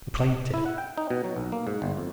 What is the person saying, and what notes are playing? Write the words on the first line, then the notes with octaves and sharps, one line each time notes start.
The plaintiff.
E4
F#5
G5
D#4
B2
F#3
B1
A#3
G#2
G1
F2